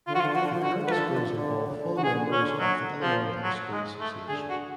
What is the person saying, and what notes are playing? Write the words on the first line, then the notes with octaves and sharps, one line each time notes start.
The current schools are all full members of the Illinois High School Association.
D3 F4
F3 F#4
F4
D3
F3 F#4
D3
F3
D3 F#4
F3
D3
F3 A4 B4
D3
F3
D3
F3
D3
C#3
D3
C#3 F#4
G#4
C#3
D3
C#4
D3
F#3
F3
F#3
G#3
A3
D3 G#4
F#4